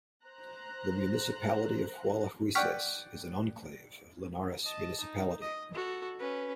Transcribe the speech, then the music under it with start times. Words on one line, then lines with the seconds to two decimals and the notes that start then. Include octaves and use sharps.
The municipality of Hualahuises is an enclave of Linares municipality.
0.24 C5 A#5 F#6
2.55 D5 F#5 G5 C#6 F6 B6
4.64 D#5 A5
5.00 D#4
5.41 D#5
5.74 F#4 A4
6.19 C#4 B4